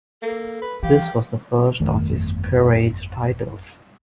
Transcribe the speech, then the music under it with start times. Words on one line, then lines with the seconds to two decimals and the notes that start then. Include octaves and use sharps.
This was the first of his peerage titles.
0.22 A#3 A4
0.62 B4
0.83 E3 G4 F5
1.80 G1 F2 D#3 A3